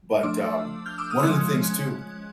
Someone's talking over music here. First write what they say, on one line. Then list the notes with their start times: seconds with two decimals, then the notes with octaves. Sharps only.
But um one of the things too
0.23 F3 A3 D4 D6 E6
0.86 F6 G6
0.98 D6 E6
1.10 D#6 F6
1.23 F3 G#3 C#4 F#6 G#6